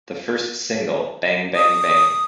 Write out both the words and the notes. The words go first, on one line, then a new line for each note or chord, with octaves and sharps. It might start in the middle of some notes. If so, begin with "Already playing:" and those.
The first single "Bang Bang Bang".
D#6